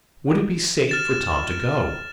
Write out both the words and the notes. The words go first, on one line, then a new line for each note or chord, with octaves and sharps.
Would it be safe for Tom to go?
F6 A6 E7